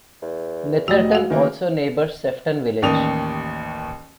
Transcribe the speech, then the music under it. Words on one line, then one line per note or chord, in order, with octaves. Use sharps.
Netherton also neighbours Sefton Village.
E2
F1 A3 F#4 D#5
F#4 F5 F#5
D#3 E3 A#3
A1 D#2 D5 D#6 F7